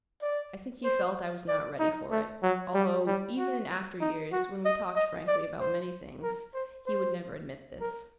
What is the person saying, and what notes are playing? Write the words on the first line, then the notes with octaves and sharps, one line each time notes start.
I think he felt I was not ready for it, although even in after years, when we talked frankly about many things, he would never admit this.
D5
C5
D5
D#4
A3
F#3
G3
G3
F#4
D#4
F#4
D#5
D#5
D5
C5
A#4
C5
C5
A#4